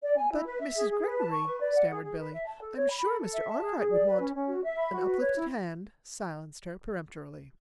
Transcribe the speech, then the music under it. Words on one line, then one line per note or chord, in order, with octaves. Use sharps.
"But, Mrs. Greggory," stammered Billy, "I'm sure Mr. Arkwright would want--" An up-lifted hand silenced her peremptorily.
D5
G#5
E4
B4
E5
G#4
G#4
B4
A5
C#6
B4
D5
F#5
G#4
G#4
B4
E5
A5
A4
C#5
B5
A4
A4
E5
A5
G#4
G#4
D5
B4
C#4
C#4
F#4
E5
B5
F#4
B4
C#5
E4